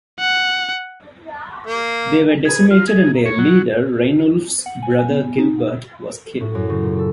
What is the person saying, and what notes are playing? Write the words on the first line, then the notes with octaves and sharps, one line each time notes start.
They were decimated and their leader, Rainulf's brother Gilbert, was killed.
F#5
A#3
G#4
F4
G#4
C#5
F#3
F#5
G#5
G#5
B3
D#4
A2
F#2
C#3
A#2
A4